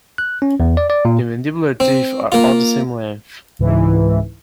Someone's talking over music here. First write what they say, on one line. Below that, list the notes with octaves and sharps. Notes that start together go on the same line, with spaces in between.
The mandibular teeth are all the same length.
F#6
C#4
E2
D5
D5
A#2
C4
A#3 F4
C#2 G#2 E3